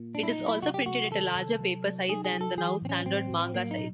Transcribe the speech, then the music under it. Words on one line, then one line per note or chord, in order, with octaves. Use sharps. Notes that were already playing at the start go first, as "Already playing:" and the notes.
It is also printed at a larger paper size than the now-standard manga size.
Already playing: A#2 A#3 F4
A#3 D4
E4
D#4
F#3
E4
C3 F#4
G4
C3 F#4
D#3 A4
C3
F#3
F#3
D#4 G#4
G#4
F#3
A4
E3 G#4
A2 C4
C#4
A2 C4
A2
F#3 A#3
D#4
B2